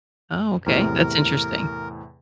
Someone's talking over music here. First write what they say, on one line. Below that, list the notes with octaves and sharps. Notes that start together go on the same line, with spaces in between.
Oh, okay, that's interesting.
E2 A2 C3 A#4